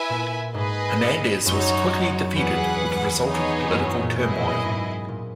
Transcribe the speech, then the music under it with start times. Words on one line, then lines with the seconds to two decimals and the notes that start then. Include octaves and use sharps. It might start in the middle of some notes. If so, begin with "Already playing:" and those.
Hernandez was quickly defeated, with resultant political turmoil.
Already playing: E4 B4 E5 G#5
0.09 A#2
0.54 G#2 G#4 B4 D#5
1.45 F#2 D#4 F#4 C#5
2.36 E2 G#4 B4 F#5
3.27 B3 D#4 G#4 C#5
3.72 F#2
3.87 F#2
4.03 A#2
4.18 B2 E4 G#4 D#5
4.40 A#2
4.63 G#2
5.08 A#2